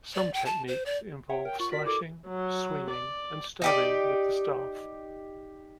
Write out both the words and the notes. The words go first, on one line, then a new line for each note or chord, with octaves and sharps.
Some techniques involve slashing, swinging, and stabbing with the staff.
D5
G5
A5
C5
D5
C#5 E5 F#5 G5
A#4 G5
F4 C#6 F#7
F#4 A#4 D5 B6
E4 A4 D6
F#3
D5
D#4 G4 D5